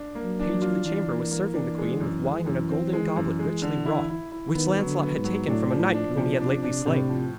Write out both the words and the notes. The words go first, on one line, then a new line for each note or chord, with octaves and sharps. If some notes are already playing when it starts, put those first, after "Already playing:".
The page of the chamber was serving the queen with wine in a golden goblet richly wrought, which Lancelot had taken from a knight whom he had lately slain.
Already playing: D4
A#3
F#3
D4
F#3
F4
E3 D4
A#3
A#3
D4
G#3
F#2
G#3
F#2
C4
G#3
F#2
G#3
D3
E4
E4
E4
D#3 B3
F#3
D3
B3
G#2
F#3
A2 D4
F3
A2
D4
B2
F3
C3 D4
D4
A2 C3
F3